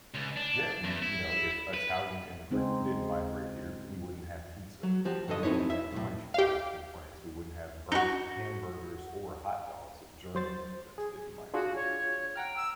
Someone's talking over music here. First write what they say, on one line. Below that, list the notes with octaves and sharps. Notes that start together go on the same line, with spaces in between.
Yeah, you you know, if Italian immigrants didn't migrate here, we wouldn't have pizza. We wouldn't have french fries from France, we wouldn't have burger hamburgers or hot dogs if German immigrants didn't migrate here,
C#2
D4
E2
E4
B4
C#3 G#3 C4 D#4 G#4 C5
F#3
F3 F#4 G4
G2 D3 A4 D#5
C4 D#4 E4 B4 C#5
E5
B1 A2
G4 F5
D#4 F#4
F#3 C5 A6
G#4
D4 F4 F#4 G#4
C#5
F#5 G5 A#5 F6
E6